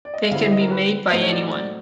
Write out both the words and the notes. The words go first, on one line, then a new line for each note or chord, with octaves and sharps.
They can be made by anyone.
D5
D#5
E5
D3 G3 C4 E4 F5
E5
D#5
A#4
B4
A2 F#3 A3 C4 D#4 C5
C#5
D5
D5